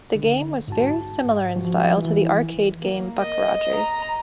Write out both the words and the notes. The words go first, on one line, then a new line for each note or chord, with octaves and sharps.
The game was very similar in style to the arcade game "Buck Rogers".
D3
G#2 F#4 A5
F3 F#4
E3
A#3
D#5
A#5